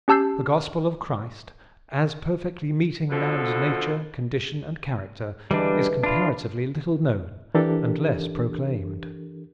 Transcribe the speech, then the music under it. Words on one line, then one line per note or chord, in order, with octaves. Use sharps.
The gospel of Christ, as perfectly meeting man's nature, condition, and character, is comparatively little known, and less proclaimed.
C#4 G4 A5 E6 G6 C7
B2 D3 F3 A4 B4
D3 E3 G3 G#3 D4
D4 E4 F4
E3 D4 G4 A4 A#4